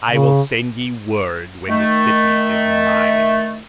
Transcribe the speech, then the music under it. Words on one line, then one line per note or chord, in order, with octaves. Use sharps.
"I will send ye word when the city is mine."
C#3
D#3 A3